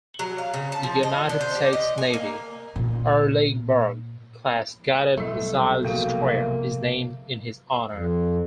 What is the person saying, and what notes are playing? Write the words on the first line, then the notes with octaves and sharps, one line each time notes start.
The United States Navy "Arleigh Burke"-class guided missile destroyer is named in his honor.
F#3
F5
C#3
A5
F3
D#5
D3
C5
G4
D#5
G#5
A#3
A#2
B1 G3 A3 E4
C3 F3 A#3 B3 F#4 G#4
F2